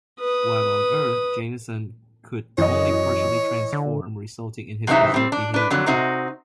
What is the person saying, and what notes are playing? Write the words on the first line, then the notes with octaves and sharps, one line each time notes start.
While on Earth Jameson could only partially transform, resulting in his berserk behavior.
B4 D#6
F#2 E3 C#5 D#5
D3
F#2 C3 E3 C4 D#4 E5
G3 C4
D4
D4 B4
F2 D3 F#3
C3 C4 D#4 F#4